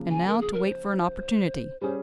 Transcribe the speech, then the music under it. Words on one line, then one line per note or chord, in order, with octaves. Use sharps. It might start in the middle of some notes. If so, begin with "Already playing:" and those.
And now to wait for an opportunity!
Already playing: C#3 F3 A#3
G#5
A#4
G#4
A#4
C5
G3 C#4 G#4 C5